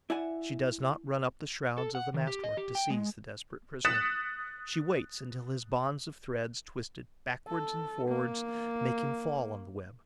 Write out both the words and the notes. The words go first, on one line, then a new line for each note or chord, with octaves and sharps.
She does not run up the shrouds of the mast-work to seize the desperate prisoner; she waits until his bonds of threads, twisted backwards and forwards, make him fall on the web.
E4 D5 E5 F#5 G#5
A4
F#5
D#3
G4
D#5
G4
G5
G#3
D#6 F#6 A6 B6 C#7 E7
A4
A#3